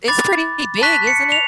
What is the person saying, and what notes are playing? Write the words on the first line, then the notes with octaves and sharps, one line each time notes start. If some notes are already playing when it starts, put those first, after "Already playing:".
It's pretty big, isn't it?
B5 D6 F#6 A6
A5 C#6 F#6 B6
C#7
F7